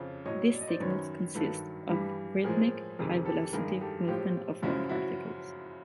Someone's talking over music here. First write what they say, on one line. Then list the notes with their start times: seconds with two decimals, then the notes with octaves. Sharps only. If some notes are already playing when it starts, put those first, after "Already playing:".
These signals consist of rhythmic high-velocity movement of air particles.
Already playing: F2 C#3 F3
0.25 A2 F#3 C#5 D#5
0.53 D5
0.61 D#5
0.68 C5 D5
0.80 F#2 D#3 F#3 B4 C#5
1.34 G2 D#3 F#3 A4 B4
1.89 G2 E3 G3
2.44 A2 F3 G#3 G#4 A#4
2.99 F2 C3 D#3 G#3 G#4 A#4
3.26 G4 A4
3.53 G2 D#3 G#3 G#4 A#4
3.70 G#4
3.81 G4 A4
4.08 A2 F3 G#3 F4 G4
4.62 F#2 C#3 F3 G#3 E4 F#4
4.89 E4 F#4